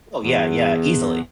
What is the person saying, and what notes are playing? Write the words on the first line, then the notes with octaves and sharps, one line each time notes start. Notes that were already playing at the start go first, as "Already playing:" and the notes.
Oh yeah, yeah, easily.
E2